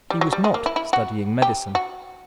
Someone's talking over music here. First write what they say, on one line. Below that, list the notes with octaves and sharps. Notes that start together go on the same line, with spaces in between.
He was not studying medicine.
G3
F#3
G3
G#3
A#3
E4
E4
F#4
G4
F#4